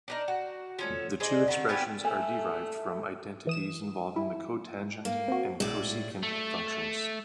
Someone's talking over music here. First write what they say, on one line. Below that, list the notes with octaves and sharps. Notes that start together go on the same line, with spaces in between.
The two expressions are derived from identities involving the cotangent and cosecant functions.
D4 D#4 A#4
F#4
F3 C#4 A4
G#4 C5 D5 D#5
D3 D#3
B3 F4 G4 G#5
A3 A4 E5 G#5
E3 D#6 E7
E4
G#2 A#3
C4 F#4
B1 A2 G#3 D5 E6
A3